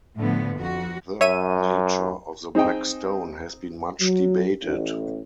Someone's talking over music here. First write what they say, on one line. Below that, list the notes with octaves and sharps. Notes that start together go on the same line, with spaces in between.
The nature of the Black Stone has been much debated.
A2 D3 F3 B3
F2 F#4
F#2 C#5 E5 D#7
C4 D#4 G#4 D#5 G5
F#3
A1